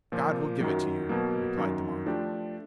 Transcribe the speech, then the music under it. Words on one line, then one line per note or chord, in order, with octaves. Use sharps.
"God will give it to you," replied the monk.
A#2 F3 A#3
F#2 D#3 F#3
B2 F#3 A#3
F#2 D#3 F#3
F3 A3 D4 G4